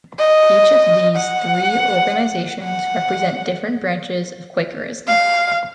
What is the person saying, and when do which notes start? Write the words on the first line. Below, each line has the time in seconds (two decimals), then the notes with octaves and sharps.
Each of these three organizations represent different branches within Quakerism.
0.19 D#5
1.16 F#5
2.63 F#5
5.07 F5